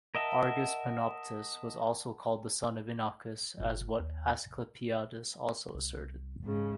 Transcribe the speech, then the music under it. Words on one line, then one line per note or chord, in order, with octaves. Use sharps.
Argus Panoptes was also called the son of Inachus as what Asclepiades also asserted.
A#4 D#5 E5 F#5 A5 E6
G1
D#2
C2
G#2 C#3